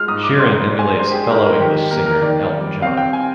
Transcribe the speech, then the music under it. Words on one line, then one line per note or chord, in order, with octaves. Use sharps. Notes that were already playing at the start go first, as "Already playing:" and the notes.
Sheeran emulates fellow English singer Elton John.
Already playing: G#3 F4 F6
G#2 D#6
D6
G3 C6
D4
G#5
G#3 C5
G4
G#4
D#4 A#4
A#4
D#3 G4
A#3 A#4
A#4
D#3 D5
G3
C4 F5
G5
G#5